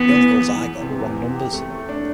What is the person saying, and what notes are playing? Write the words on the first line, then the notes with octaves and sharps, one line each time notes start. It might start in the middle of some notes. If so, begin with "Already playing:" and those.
The only calls I got were wrong numbers.
Already playing: E2 B3
E3
E2
E2
E2
C3
E2
C3
G4
A3
A3
D4